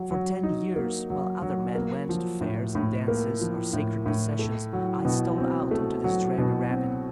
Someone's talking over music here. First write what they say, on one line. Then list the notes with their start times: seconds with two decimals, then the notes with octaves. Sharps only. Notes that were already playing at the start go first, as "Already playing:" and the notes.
For ten years, while other men went to fairs and dances or sacred processions, I stole out into this dreary ravine.
Already playing: F#3
0.11 F#3
0.43 D#4
0.76 A#3
1.10 F#3
1.42 F#3
1.75 A#3
2.09 F3
2.41 A2
2.75 A2
3.08 A#3
3.41 F3
3.73 A2
4.06 A2
4.39 A3
4.73 F#3
5.05 B2
5.38 C4
5.71 A3
6.04 F#3
6.38 B2
6.70 C4